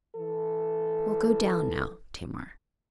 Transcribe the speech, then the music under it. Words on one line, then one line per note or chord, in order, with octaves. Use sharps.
'We'll go down now, Tamar.'
E3 A4